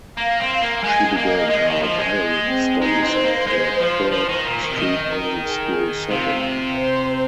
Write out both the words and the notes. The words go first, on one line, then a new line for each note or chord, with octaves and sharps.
She began her violin studies at the Third Street Music School Settlement.
A#3 F5
C4
F5
A#3
G#3 G#5
A#3 D#5
G#3
D#3
F3
G#3
C4
G#3 D#4
C4
C5
A#3
G#3
F3
F3
D#3
A#2
D#3
C3
D#3 D#5
A#4
G#4
C3 F4
C5